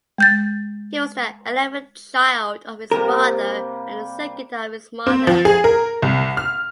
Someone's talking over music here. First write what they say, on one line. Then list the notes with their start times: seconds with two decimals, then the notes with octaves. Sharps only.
He was the eleventh child of his father and the second of his mother.
0.18 G#3 G6 A6
2.91 C3 G3 A#3 A#4
5.07 C4
5.27 F3
5.45 G#4
5.64 A#4
6.02 C2
6.37 F6